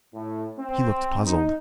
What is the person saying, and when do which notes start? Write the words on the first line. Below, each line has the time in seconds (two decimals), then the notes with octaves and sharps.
He looked puzzled.
0.14 A2
0.59 C4
1.25 D#4